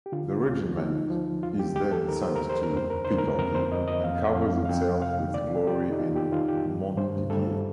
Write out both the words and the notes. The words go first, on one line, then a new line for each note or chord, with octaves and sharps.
The regiment is then send to Picardy and covers itself with glory in Montdidier.
G4
D3 F4
D2
F3 D#4
F3
D#2 F4
G4
D#2 G4
A4
D#3 A#4
C5
A#4
D#2
C5
A#4
F2 C5
A#4
D3 C5
A#4
F2 A#4
C5
F2 D#5
D#5
F2 F5
F2 F5
F5
F2 G5
C3 F5
D#3 D5
F2 G4
D#4
D#3 F4
G4
D#3 F4
G4
G2
G2 C5
G2 A4